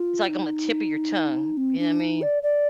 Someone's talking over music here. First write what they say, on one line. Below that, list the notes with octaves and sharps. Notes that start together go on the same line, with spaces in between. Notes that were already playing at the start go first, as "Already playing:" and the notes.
it's, like, on the tip of your tongue, you know I mean?
Already playing: F4
D#4
C4
D4
D#4
D5
D5